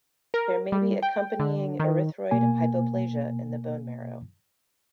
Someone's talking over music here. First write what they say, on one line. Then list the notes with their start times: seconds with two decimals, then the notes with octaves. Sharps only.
There may be accompanying erythroid hypoplasia in the bone marrow.
0.34 A#4
0.72 G3
1.02 G5
1.39 D3
1.80 D#3
2.31 B2 A#3 G#5